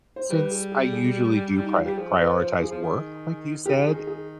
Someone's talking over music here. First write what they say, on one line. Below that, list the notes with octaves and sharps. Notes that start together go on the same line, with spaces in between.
since I usually do prio prioritize work, like you said,
C5
G3 B4
G#4
G#4
G#4
D#4
F4
G3 G4
F3 G#4
B4
C5
G#4
F3
D#3
D#3 G4
F3
D#3 G#4
G#4